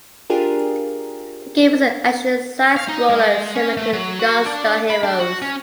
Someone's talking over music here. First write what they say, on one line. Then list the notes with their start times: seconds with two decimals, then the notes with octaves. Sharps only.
The game is an action side-scroller similar to "Gunstar Heroes".
0.30 D4 F4 G4 G#4 A#4
2.77 F5
2.89 D#4
3.09 G#3
3.55 C#4
3.77 A3
3.93 F#3
4.19 F#4
4.46 D4
4.90 B5
5.03 D4
5.19 F#4
5.42 C#4